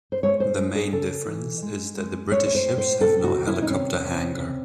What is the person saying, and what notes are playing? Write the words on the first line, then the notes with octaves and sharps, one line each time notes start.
The main difference is that the British ships have no helicopter hangar.
C5
G#3 C#5
C5
G#3
G#4
C#3 A4
E3
G#3
G#3
G#3 C#5
C#5
C5
A2
C5
C3 A4
F#4
D#3
E4
D#4
C3 C#4
C3
C#3